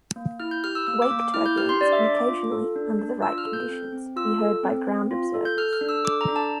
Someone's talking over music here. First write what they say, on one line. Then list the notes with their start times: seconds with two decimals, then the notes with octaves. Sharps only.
Wake turbulence can occasionally, under the right conditions, be heard by ground observers.
0.16 A#3
0.40 E4 F6
0.51 G6
0.64 G4 F6
0.75 E6
0.87 A#3 E6
1.02 D6
1.11 A#3
1.19 D6
1.34 E4 F6
1.46 G6
1.57 G4 F6
1.69 C6
1.81 D4 D5
1.92 E5
2.04 D4 D6
2.17 D6
2.28 F4
2.52 A4
2.76 D4
2.99 D4
3.22 F4 E6
3.38 F6
3.46 A4
3.53 G6
3.69 C4
3.92 C4
4.16 F4 E6
4.40 A4
4.63 C4
4.86 C4
5.11 F4
5.34 A4
5.45 G6
5.57 A4 F6
5.73 F6
5.81 D4
5.89 E6
6.04 A4 D6
6.21 A#5
6.28 D4
6.36 A5